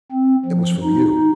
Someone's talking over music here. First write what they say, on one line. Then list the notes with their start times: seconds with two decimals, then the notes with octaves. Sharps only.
It was from you!
0.12 C4
0.46 F3
0.84 D#4